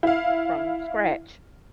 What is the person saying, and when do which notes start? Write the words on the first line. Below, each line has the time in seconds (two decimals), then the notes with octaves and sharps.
from scratch.
0.03 E4 F5